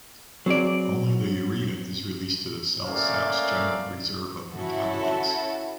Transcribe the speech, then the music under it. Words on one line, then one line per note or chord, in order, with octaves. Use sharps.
Only the urea is released to the cell sap’s general reserve of metabolites.
F#3 C4 G#4 D5
A3 A#3 C#4 A4 D5 F5
C#4 E4 F#4 A4